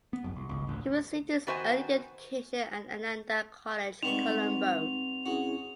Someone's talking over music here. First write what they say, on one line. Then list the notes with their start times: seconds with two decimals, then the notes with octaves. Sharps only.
He received his early education at Ananda College, Colombo.
0.13 B3
0.24 D1 G1 F#2
0.36 C2
0.49 G#1 C#2
0.67 A1 D2
1.47 D#3 B3 F#4 C5 E5 G#5
4.03 G3 G#3 B3 C4 D#4 C#6 F7
5.26 C#4 E4 F#4 G#4